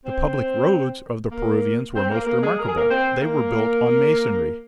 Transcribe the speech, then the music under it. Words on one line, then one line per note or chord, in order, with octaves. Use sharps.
The public roads of the Peruvians were most remarkable; they were built on masonry.
C4 C5
A#3 A#4
C4 C5
A#3 A#4
A#3 A#4
G#3 G#4
A#4
G#4
A#3 A#4
C4 C5
A#3 A#4